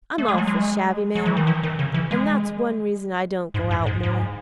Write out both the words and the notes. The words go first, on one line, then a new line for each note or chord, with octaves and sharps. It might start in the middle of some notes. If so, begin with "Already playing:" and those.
I'm awful shabby, ma'am, and that's one reason I don't go out more.
A3
G#3
F#3
G#3
F#3
E3
D#3
E3
D#3
C#3
E3
G#3
G#2
G#2
G#2
G#2